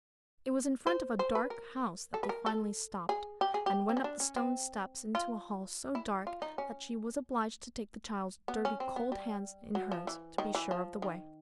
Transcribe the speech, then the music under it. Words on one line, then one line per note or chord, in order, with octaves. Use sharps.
It was in front of a dark house that they finally stopped, and went up the stone steps into a hall so dark that she was obliged to take the child's dirty cold hands in hers to be sure of the way.
C5
C5
B4
A#4
A4
B4
A#4
A4
G#4
G4
G#4
G4
C4
C#4
D4
C#4
C4
F4
E4
F4
D#4
C#4
B3
C#4
C4
B3
G3
F#3
F3
E3
D#3
E3
F3
D#3